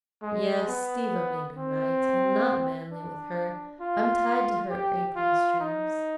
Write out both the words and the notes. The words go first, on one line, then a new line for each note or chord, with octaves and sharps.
Yes, Stiva may be right, I'm not manly with her, I'm tied to her apron-strings....
G#3
B3
C4
D4
F4
G4
F4
D#4